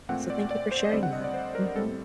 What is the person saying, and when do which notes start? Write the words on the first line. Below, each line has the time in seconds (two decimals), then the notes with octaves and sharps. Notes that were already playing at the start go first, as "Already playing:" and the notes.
Uh, so thank you for sharing that, mhm.
0.09 A#2 A3 C4 F#5
0.30 D5
0.51 D5
0.71 C5
0.84 D#5
0.92 D3 G3 C4 D5
1.03 F#5
1.13 D#5
1.24 D5
1.34 C5
1.55 A#4
1.76 A2 G3 C4 A4